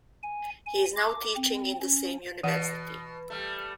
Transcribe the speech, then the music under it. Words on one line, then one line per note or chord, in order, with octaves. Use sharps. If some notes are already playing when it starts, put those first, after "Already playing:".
He is now teaching in the same university.
G#5
G#5
D6
C4
C#4
B2 E3 F#5
G3 A3